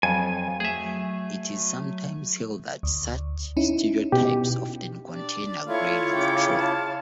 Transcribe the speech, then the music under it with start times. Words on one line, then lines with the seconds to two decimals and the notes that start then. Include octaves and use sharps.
It is sometimes held that such stereotypes often contain a grain of truth.
0.03 F2 F#3 G#5
0.60 A3 G#4 E5
2.83 D2
3.57 C#4 D#4 E4
4.12 B2 G4
5.11 D4 D5
5.68 A3 E4 F4 C#5 F5 C#6
6.15 C#3 G5 D6
6.57 F5 A5